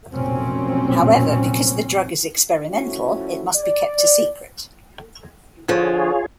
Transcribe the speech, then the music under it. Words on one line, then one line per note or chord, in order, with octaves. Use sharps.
However, because the drug is experimental, it must be kept a secret.
F1 B1 A#2 F#3 C4 C#4
F3 A3 C#4 E4 F#4
D5
D3 F3 F4 G#4 C#5